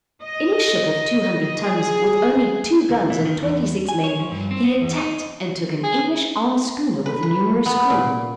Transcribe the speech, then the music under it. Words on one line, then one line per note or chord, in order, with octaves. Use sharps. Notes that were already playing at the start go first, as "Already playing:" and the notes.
In his ship of two hundred tons, with only two guns and twenty-six men, he attacked and took an English armed schooner with a numerous crew.
D#5
G#4
D2
E3
D#3
E2
G#5
C#5
F3
G2
C4
B3
E2
D#4
G#4
B4
B4
B3
A#2